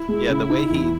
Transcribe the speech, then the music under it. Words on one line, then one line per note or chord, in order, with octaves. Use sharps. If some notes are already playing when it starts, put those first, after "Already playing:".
yeah, the way he
Already playing: E4
G#3
C#3
D#4
E2